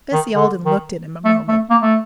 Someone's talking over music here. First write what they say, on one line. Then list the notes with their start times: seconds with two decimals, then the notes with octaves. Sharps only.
Bessie Alden looked at him a moment.
0.13 D#3
0.36 D3
0.65 D#3
1.25 A3
1.49 A3
1.70 A#3
1.82 A3